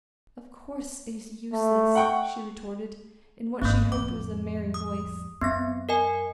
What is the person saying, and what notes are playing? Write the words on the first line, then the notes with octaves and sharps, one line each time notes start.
"Of course it is useless," she retorted in what she hoped was a merry voice.
A3
F#5 G5 C#6
G#1 E3 A#3 C4
A1 F2 D6
D#6
F#2 B3 C4 A#6
A#4 D#5 G#5